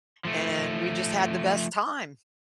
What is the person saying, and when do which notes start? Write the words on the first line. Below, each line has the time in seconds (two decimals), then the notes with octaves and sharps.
and we just had the best time.
0.25 F3 A3